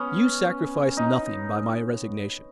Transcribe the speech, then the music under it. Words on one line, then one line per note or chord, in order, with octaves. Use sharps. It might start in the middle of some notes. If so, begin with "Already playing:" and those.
You sacrifice nothing by my resignation.
Already playing: B3 C#4
D#4